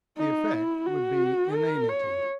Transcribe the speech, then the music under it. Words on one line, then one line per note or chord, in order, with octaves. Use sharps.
The effect would be inanity.
D#4
E4
F#4
A#4
C#5